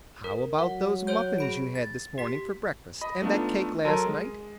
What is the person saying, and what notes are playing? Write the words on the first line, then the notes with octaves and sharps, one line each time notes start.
How about those muffins you had this morning for breakfast, and that cake last night?
A#4
F#3 F#5
C5 C#5 G6
G#4 B5 D7
A6
G4 B6
D#5 B5
A3 B3 D4 D#4 F4
F#3 A4 A#4 A5 C6 D#7
G#3